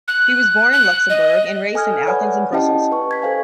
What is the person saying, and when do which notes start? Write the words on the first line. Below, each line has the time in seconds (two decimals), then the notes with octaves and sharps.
He was born in Luxembourg and raised in Athens and Brussels.
0.08 F#6
0.72 F#6
1.10 D#5
1.74 A4 G#5 D#6 F6 G#6
2.07 B4 C#5 D5 F#5 G#5 B5
2.53 C#4 E4 G4 D#5 G5 A5
2.92 B4 C#6
3.11 G#6 B6
3.22 A4 C5 F5 G#5